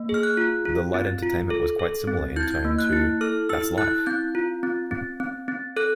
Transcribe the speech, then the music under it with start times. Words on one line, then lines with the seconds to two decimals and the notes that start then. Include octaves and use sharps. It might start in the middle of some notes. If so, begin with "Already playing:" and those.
The light entertainment was quite similar in tone to That's Life!
Already playing: A#3
0.09 G#4
0.14 F6
0.23 F#6
0.37 F4
0.65 F4
0.94 C4
1.22 F4
1.50 A4
1.80 A4
2.07 C4
2.36 E4 G6
2.43 G#6
2.51 G6
2.65 A#3
2.79 F#6
2.93 E4
3.21 A4 F6
3.49 E4 E6
3.78 E4 F#6
4.06 C4 G6
4.35 F4
4.63 C4
4.91 C4
5.20 C4
5.48 C4
5.77 A4 F#6